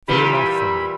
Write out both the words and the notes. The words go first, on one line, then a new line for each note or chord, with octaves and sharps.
Fear not for me.
A#2 E3 G3 B5